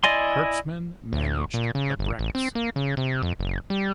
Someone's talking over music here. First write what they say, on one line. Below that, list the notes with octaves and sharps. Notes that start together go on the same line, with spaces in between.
Hertzman managed the Brecks.
E4 D5 D#5 G#5 C6
D2
A#2
C#3
G1
A1
C4
A#3
C#3
C3
F2
F#1
G3